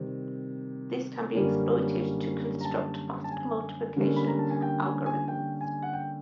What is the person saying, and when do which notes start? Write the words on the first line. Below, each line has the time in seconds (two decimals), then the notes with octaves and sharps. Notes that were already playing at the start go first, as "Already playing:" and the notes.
This can be exploited to construct fast multiplication algorithms.
Already playing: C3 D#3 G3 C4
1.34 F#2 D3 G3 A#3 C#4
2.61 A#5
2.65 A5
3.24 A5
3.31 G#5
3.96 D3 G3 A#3 C#4
4.16 B5
4.27 A#5
4.39 A5
4.50 G#5
4.62 G5
4.84 G#5
5.06 G#5
5.28 G5
5.61 G#5
5.83 F#5
5.93 G5